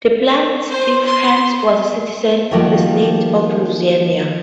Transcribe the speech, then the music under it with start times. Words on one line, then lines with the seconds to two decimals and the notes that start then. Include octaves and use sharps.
The plaintiff, Hans, was a citizen of the state of Louisiana.
0.69 C5
1.05 C6
2.51 D#3 F3 G3 A#3 F#4 G4